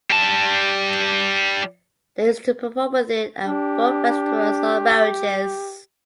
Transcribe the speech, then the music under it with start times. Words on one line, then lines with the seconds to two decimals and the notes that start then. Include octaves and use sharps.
They used to perform with it at folk festivals or marriages.
0.11 G3 A5
3.45 D4 G4